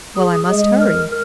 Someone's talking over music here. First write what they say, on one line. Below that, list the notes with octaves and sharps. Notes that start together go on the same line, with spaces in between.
Well, I must hurry.
G#4
G#3
A#4